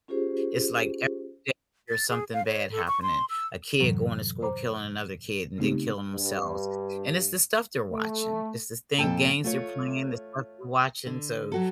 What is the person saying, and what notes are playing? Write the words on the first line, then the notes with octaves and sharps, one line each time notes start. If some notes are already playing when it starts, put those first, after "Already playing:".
it's, like, every day there's something bad happening, a kid going to school, killing another kid, and then killing themselves, and it's the stuff they're watching, it's this thing games they're playing, the stuff they're watching, so
C#4 F4 G4 G#4 C5
A6
G#4
F5
C#5
A4
C#6
C6
E6
F#2 A2 C3 E3 F#3
C5 A#5 B5 D6
C#3 A3 B3 C4 D#4 G4
G2
A3
F2 A#2 D4 A4 G5 A5
A3 F4 C#5
D3
F#3 F#4 A4